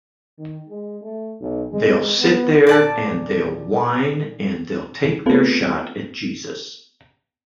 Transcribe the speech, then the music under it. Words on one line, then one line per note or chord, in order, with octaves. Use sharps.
They'll sit there and they'll whine and they'll take their shot at Jesus.
D#3
G#3
A3
B1
G#3
B3
A#2 D5 A5
A3 B3 C4 F4 A4 B4